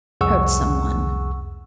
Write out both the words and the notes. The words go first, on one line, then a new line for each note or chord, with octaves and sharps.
Hurt someone.
C2 F2 G#4 F#5 C#6 E6